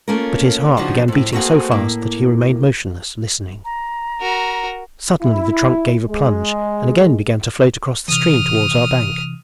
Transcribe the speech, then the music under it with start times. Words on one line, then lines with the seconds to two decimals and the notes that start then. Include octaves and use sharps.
But his heart began beating so fast that he remained motionless, listening. Suddenly the trunk gave a plunge and again began to float across the stream towards our bank.
0.08 A3 A#3 C#4 F4 A#4
0.77 C#3 F3 D4 D#4 F#4 G#4
1.08 F2 A2
1.32 A3 A#3 C4 F4 F#4 G#4
1.71 A2 A#3
3.65 A#5
4.21 F#4 A#4
5.23 E4
6.09 G#3
8.08 C3 E3 D#6 F6